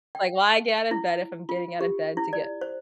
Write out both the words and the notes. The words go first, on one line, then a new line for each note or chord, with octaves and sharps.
Like, why get out of bed if I'm getting out of bed to get
G5
E4
F4
G4
E4
D5
C5